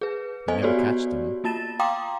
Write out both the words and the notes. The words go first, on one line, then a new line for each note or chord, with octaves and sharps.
They never catch them.
G#4 B4
B3 A4 C5 D#5 G#5
B3 F#4 G4 A4 C#5 D5
A#3 F4 A5 A6 E7
F5 G5 A#5 C6 D6 D#6